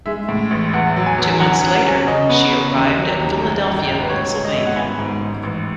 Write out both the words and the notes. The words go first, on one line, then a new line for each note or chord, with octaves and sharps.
Two months later, she arrived at Philadelphia, Pennsylvania.
G#3 E5
A2
A1
E2 F#5
F#3
G#5
E2
F#3 F#5
G#5
C#4 F#5
C#4
C#3 D#5
B3
C#3
D#2
F#3
D#2
F#2
G#1
G#1
B4
G#1 C#5
G#3
D#5
G#1 E5
F#5
B3 G#5
G#2
G#2
A1